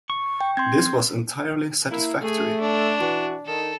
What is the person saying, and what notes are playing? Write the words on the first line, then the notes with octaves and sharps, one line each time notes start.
This was entirely satisfactory.
C#6
G5
C4 C6 G6 G#6
A#3 E4
A3 G#4
D4
E3 F#4
D#3 A4